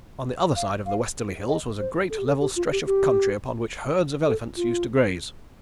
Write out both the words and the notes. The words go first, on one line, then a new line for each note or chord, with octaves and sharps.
On the other side of the westerly hills was a great level stretch of country upon which herds of elephants used to graze.
F5
F5
D#5
C5
A4
G4
A4
G4
F4
G4
G4
A4
F4